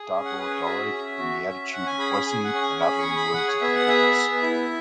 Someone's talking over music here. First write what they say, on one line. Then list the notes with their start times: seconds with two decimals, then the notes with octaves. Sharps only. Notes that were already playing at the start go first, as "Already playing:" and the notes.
Darboy died in the attitude of blessing and uttering words of forgiveness.
Already playing: G#4
0.11 C#4
0.25 F#5
0.38 G#4 B4
0.51 C#5
0.65 F#4 E5
0.92 C#4
1.18 F#4
1.46 C#4
1.72 C#4 F#5
1.86 G#5
1.99 G#4 B5
2.13 B5
2.26 G#4 G#5
2.44 F#5
2.53 C#4
2.62 G#5
2.80 G#4 B5
2.98 C#6
3.07 G#4
3.16 B5
3.34 G#4 F#5
3.48 C#5
3.61 B3 E5
3.75 F#5
3.88 G#4 E5
4.15 B3
4.42 E4